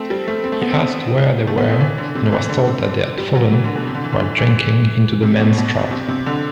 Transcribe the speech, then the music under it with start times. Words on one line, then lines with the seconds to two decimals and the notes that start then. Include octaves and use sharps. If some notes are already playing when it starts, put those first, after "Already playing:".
He asked where they were and was told that they had fallen, while drinking, into the men’s trap.
Already playing: A3 C4
0.10 G3
0.28 A3
0.44 C4
0.52 A3
0.61 B3
0.70 C4
0.78 B3
1.47 A3
1.58 B3
1.69 C4
1.80 E3
1.98 D3
2.15 C3
2.32 E3
2.49 D3
2.67 C3
3.18 G3
3.35 F#3
3.52 E3
3.64 D3
3.75 B2
3.87 C3
3.95 D3
4.04 E3
4.12 D3
4.20 E3
4.38 E3
5.23 C3
5.40 B2
5.58 B2
5.91 C3
6.08 C3
6.26 D3